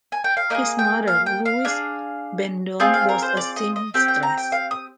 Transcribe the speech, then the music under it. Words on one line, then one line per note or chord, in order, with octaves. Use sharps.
His mother, Louise Bendome, was a seamstress.
G#5
G5
F5
A#3 D#4 G#4 D#5
G5
F5
G5
F5
D4 G#4
C4 F4 G#4 D#5
F5
A#4
C5
D5
D#5
D#5
C4 G4 G5
G5
A#5
G5
F5
D#6